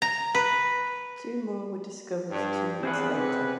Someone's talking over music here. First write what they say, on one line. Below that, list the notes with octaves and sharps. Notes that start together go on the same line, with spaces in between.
Two more were discovered two months later.
A#5
B4
G2
E2 C4 G#4 B4 F#5
C#2 C3 B4